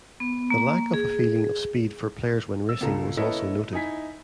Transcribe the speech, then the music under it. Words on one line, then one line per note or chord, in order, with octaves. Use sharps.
The lack of a feeling of speed for players when racing was also noted.
B3
A#3
G#4
E6
C#2 A#2 A4 A#5
A#3 E4 A4 B4 C#5 D#5
D#4 E4 G#5 B6